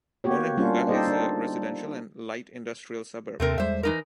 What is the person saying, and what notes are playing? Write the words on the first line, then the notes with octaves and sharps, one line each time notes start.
Onehunga is a residential and light-industrial suburb.
A#3 B3 F#4 G4 C#5
G3 A#3 C#4 D4 F4
D#4 G4 A4 C5 D5 D#5
D4
D#2 C3 A3 C4 A#4
E2 G3 G#3 C5 E5
E3 D#4 A#4